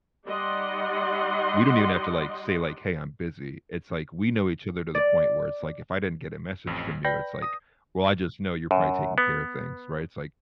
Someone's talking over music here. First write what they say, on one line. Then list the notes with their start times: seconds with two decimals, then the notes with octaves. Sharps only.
We don't even have to, like, say, like, "Hey, I'm busy." It's ,like, we know each other to the point where it's, like, if I didn't get a message from you, it's, like, well, I just know you're probably taking care of things, right? It's, like,
0.27 G3 D#4 D5 D#5 F#5 C6
4.95 D5
6.67 A1 F2
7.05 B4 D5 G5 B5 G6 A#6
7.42 D#6
8.71 F#2
9.18 B3